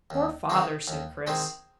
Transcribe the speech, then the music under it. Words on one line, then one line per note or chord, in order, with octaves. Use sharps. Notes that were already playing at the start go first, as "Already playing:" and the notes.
"Poor father!" said Chris.
D#2
D#3 G#3 C4
D#2
D#3 G#3 C4